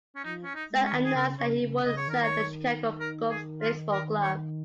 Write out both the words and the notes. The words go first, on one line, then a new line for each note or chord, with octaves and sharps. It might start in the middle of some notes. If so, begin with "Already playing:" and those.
Zell announced that he would sell the Chicago Cubs baseball club.
C#4
F3 D#4
C#4
D#4
G#3
C#4
D#3
G#4
C#3 A#4
C#3 C#5
C#3
C#3 D#5
C#5
D#3 A#4
C#5
A#4
G#4
F4
A#4
C#5